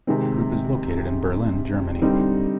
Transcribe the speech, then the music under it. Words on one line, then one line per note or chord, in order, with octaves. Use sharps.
The group is located in Berlin, Germany.
C3 D#3 G#3 C4 D#4
D3 G3 C4 D#4